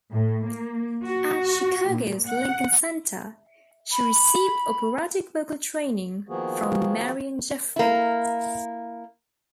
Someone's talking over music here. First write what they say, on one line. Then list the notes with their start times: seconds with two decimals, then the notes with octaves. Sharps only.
At Chicago's Lincoln Center, she received operatic vocal training from Marion Jeffery.
0.12 A2
0.48 A#3
1.04 F#4
1.88 A#2
2.27 F#5
3.92 B5
6.29 D#3 F3 A#3 B3 F#4 G#4
7.76 A#3 E4